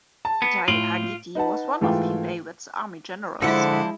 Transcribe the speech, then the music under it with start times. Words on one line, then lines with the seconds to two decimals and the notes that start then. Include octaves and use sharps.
Itai haGiti was one of King David's army Generals.
0.25 A5
0.42 B3
0.68 A2 F4 D7 F#7
1.35 D#4 B4 F#5 A5
1.81 G#2 E3 A3 F4 F5 G5
3.42 D3 F3 G#3 E4 C5 F#5 A5